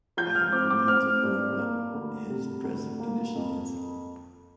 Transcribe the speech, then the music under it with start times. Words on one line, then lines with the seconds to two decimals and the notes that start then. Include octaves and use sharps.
I have no means of knowing what his present condition is.
0.17 F3 G6
0.35 F6
0.52 C4 D6
0.70 D6
0.87 C4 F6
1.23 G2
1.58 A#3
1.94 D2
2.29 C3
2.64 D2
3.00 A#3
3.35 F2